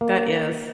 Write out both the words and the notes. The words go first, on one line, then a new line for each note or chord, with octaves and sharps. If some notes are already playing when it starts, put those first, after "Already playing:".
That is.
A#3